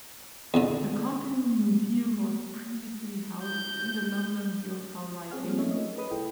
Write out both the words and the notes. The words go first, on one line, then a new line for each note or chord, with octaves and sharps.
The Company museum was previously housed in the London Guildhall Library.
E2 D3
G6
C4 G#4 C#5 F#5 F6
F3 G3 A#3 C4
A3 C#4 D#4 C#5 E5
A#4 D#5
G#4 B4 D#5 B5 D#6
C2 E4 A4 G5